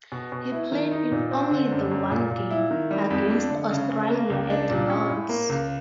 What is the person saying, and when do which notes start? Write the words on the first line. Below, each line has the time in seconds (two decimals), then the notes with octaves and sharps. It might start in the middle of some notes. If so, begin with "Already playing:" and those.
He played in only the one game, against Australia at Lord's.
0.12 B2
0.32 B2
0.52 E4
0.72 D#3
0.92 D#4
1.11 A#2
1.31 C4
1.51 D3
1.71 F#2
1.91 F#2
2.11 A#2
2.31 A#2
2.50 E4
2.71 D#3
2.91 G3
3.10 F2
3.30 D4
3.50 D3
3.71 C#3
3.90 C#3
4.10 A#3
4.30 C#2
4.50 D4
4.70 A#2
4.90 C#4
5.09 A2
5.29 A#3
5.49 C#2